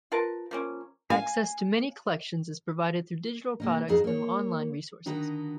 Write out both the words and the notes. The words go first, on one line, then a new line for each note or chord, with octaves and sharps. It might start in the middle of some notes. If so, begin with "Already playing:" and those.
Access to many collections is provided through digital products and online resources.
F4 A#4 B4 A5
F3 A#3 C#4
F5 G#5
C3 A#3 D#4
F2 D#4 G#4 A4 D#5 F5
A#3 C#5
D3 D#3 D#4 F#4 B4 A#5